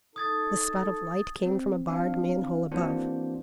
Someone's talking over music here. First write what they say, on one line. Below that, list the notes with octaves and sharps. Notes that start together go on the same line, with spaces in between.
The spot of light came from a barred man-hole above.
D#4 A4 D#6 G#6 A6
C4
C4 D4 F4 F5
E3 A#3 C4 D4 F#4 C5